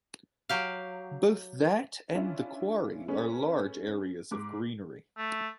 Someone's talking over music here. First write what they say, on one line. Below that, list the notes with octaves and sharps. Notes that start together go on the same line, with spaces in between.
Both that and The Quarry are large areas of greenery.
F#3 G4 F5
C#4 D4 E4 F4
A3 C#4 G#4 B4
G#2 D6
A3